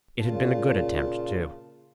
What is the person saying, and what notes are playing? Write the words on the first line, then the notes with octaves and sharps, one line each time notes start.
It had been a good attempt, too.
A#2 C#3 F4 A5